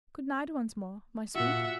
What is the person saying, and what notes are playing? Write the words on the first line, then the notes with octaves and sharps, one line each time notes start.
Good-night once more, my sweet.'
A#2 F4 F#4 E5 F#5